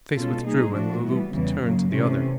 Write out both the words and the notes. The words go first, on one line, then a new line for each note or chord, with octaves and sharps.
The face withdrew and Le Loup turned to the other.
B2 G#3 C#4 F4 A4
G3 A#3 D#4 G#4
A2 F3 A3 D4 F#4
E3 G3 B3
E2 C#3 E3 G3
F#2 C#3 F#3 A#3
C3 E3 A3 C#4